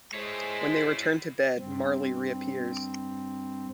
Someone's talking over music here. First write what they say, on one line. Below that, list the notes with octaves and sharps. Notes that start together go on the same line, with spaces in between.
When they return to bed, Marley reappears.
G#3 E4 C5 C#5
G2 C4